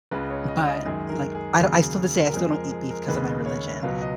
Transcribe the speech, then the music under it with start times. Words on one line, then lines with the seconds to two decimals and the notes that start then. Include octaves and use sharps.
but, like, I d I still this day I still don't eat beef 'cause of my religion,
0.11 C#2 C#3 G#3 B4
0.30 C#5
0.48 D#5
0.67 D#5
0.86 F#2 D#3 G#3 G#4
1.10 A#4
1.35 G#4
1.60 D#2 C#3 F#3
2.27 A#4
2.34 F2 F3 G#3 G#4
2.52 A#4
2.71 G#4
2.91 A#4
3.08 D#2 C#3 G#3 B4
3.46 C#5
3.82 C#2 B2 F#3 F5
4.01 D#5